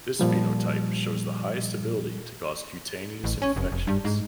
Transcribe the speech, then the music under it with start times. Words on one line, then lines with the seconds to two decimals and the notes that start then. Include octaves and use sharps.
This phenotype shows the highest ability to cause cutaneous infections.
0.19 A#2 F3 G3
3.24 A1
3.42 C#4
3.56 F1
3.72 F1
3.87 G2
4.05 G#2